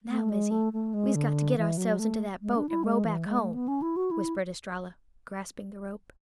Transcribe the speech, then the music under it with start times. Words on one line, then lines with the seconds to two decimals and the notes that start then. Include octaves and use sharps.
"Now, Missy, we's got to git ourselves into that boat and row back home," whispered Estralla, grasping the rope.
0.08 A3
0.30 G#3
0.51 A3
0.73 A3
0.94 G#3
1.15 D3
1.57 E3
1.77 F#3
1.99 A3
2.42 G#3
2.56 D4
2.69 E4
2.84 G#3
3.05 E3
3.26 G#3
3.40 A3
3.54 B3
3.68 C#4
3.82 E4
3.96 F#4
4.11 E4